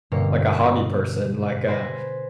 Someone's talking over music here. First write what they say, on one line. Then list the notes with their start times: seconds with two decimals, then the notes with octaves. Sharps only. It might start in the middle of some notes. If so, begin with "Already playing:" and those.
like, a hobby person, like, uh,
0.12 G2 B2 D3 A#3 C#4 C#5
1.67 B4 C5 G#5 B5 A6 A#6